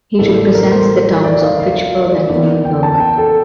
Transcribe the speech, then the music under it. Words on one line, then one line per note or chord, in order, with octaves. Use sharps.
He represents the towns of Fitchburg and Lunenburg.
A1 A2 E3 G3 A#3 A4
A#4
C5
D5
F5
F5
F5
D5
E2 E3 A#3 D5
G5
A5
G5
A4